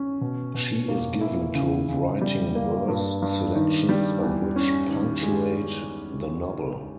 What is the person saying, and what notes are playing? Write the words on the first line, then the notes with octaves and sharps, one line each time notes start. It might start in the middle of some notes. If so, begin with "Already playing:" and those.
She is given to writing verse, selections of which punctuate the novel.
Already playing: C#4
B2
B2
A#3
E4
C#3
C#3
G3
A#3
G2
G2
D#3
G3
E2
C#4
D#3
G#3